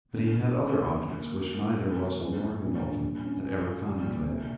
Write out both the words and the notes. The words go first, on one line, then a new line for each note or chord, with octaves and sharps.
But he had other objects which neither Russell nor Godolphin had ever contemplated.
G1
G1
C#4
D#3
D#3
A#3
A#3
A#3
F1
D#2
F4
G#2
A#2
A#1
G3
C#4
C#4
F4
G3
A#2
C3